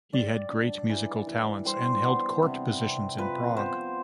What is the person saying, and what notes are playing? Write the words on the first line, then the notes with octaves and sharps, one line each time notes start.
He had great musical talents, and held court positions in Prague.
G3 D5
D4
E3
E3
G3 C5
B3
C3
C3
F3 B4
B3 C5